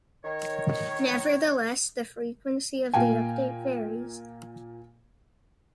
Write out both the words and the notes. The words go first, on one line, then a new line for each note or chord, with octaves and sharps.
Nevertheless, the frequency of the update varies.
D#3 C#5
A#2 A#3 F5 G5 G#5